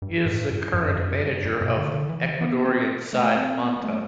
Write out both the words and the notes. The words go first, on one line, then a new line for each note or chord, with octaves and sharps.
He is the current manager of Ecuadorian side Manta.
G2
A2
G2
F#2
F#2
G2
G2
B2
D3
D3
E3
E3
B3
C4
A3
C4
B3
B3
A3